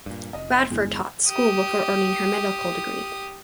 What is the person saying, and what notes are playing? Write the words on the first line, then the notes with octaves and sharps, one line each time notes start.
Bradford taught school before earning her medical degree.
G2 A#2
F1 D#5
G1 E2 G#3
G4 D#6